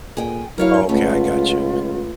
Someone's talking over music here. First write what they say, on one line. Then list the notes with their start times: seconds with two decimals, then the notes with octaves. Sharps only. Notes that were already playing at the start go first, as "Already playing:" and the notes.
Okay, I gotcha,
0.17 A#2 G#4 G5
0.58 F#3 E4 A#4 C#5 F5
0.89 C#2 A3 B3 C#4 F4